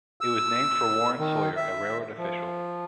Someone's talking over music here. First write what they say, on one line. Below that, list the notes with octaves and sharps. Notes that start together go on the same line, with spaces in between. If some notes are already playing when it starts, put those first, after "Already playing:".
It was named for Warren Sawyer, a railroad official.
E6
D#3
E5
F3